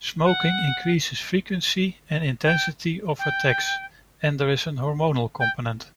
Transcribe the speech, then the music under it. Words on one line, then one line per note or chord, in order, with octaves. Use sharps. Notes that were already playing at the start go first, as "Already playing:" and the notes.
Smoking increases frequency and intensity of attacks, and there is a hormonal component.
F#5
G5
G5
G5